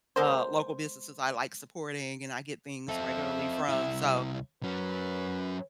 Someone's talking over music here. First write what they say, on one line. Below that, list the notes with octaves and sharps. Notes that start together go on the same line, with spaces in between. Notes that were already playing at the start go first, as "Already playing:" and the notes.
uh, local businesses I like supporting and I get things regularly from, so
G#3 B3 A#4 C5
C4 A4 E5
C2 E4
F#3 C#4 B4